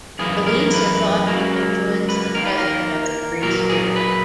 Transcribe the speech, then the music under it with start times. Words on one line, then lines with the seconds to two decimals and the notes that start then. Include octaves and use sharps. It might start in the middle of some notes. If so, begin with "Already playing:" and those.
The beliefs are thought to have influenced the Brethren of the Free Spirit.
0.19 F#2 E3 A#3 G#4
0.46 A#4
0.74 B4
1.27 C#2 C#3 F#3 A#3
2.09 B4
2.34 D#2 D#3 A#3 A#4
2.45 B4
2.57 A#4
3.43 A#2 F#3 A#3 A#4
3.70 G#4
3.96 B4